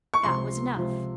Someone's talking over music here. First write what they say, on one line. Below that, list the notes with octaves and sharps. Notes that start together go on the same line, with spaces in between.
That was enough.
C#6
C#2 C3 F3 C6
C#2 C3 F3